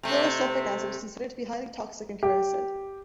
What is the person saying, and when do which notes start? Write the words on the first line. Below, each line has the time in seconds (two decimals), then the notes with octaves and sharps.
Fluorosulfuric acid is considered to be highly toxic and corrosive.
0.03 C3 A3
2.23 G4